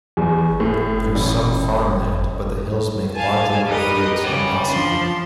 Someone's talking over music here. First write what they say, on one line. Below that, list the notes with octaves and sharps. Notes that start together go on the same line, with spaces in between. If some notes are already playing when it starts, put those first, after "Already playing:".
There is some farmland, but the hills make large open fields impossible.
E2
A2
A1
F5 G#5 A5
G3 D#4 G4 A#4 B4 D#5
C#3 G3
F3 D4 C6